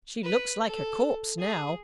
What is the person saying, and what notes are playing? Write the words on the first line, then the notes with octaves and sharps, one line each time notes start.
She looks like a corpse now.'
B4
A4
G#4